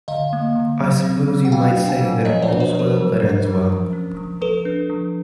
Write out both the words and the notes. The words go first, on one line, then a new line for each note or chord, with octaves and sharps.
I suppose you might say that all's well that ends well.
D3 D#5 F5
A#3
D3
F#3
C4
F#3
F#5
F#3 F5 G5
D4
F#5 G#5
F#3
F3 C#5 D#5
C5 D5
D4
B4 C#5
F3 C#5
A#4 C5
F#3
D4
F#3
F3
C#4
F3
F3 A4 B4
D4
F3